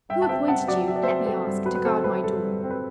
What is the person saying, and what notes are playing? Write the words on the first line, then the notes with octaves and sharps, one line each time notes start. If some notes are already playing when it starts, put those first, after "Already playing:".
Who appointed you, let me ask, to guard my door?
G2 E5 G5
A5
C4 E5 G5
G2 F#5 A5
F#3 D5 F#5
F#3 E5
D5
C4 C5 E5
C4 A4 C5
G2
F#3 B4
B4
C4 A4 C5
C4 B4
G2 A4
G2
C4
B4